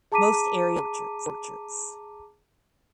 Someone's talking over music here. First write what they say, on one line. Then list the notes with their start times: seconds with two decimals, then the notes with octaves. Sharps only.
Most areas are orchards.
0.12 G#4 A5 A#5 D6 B6 D#7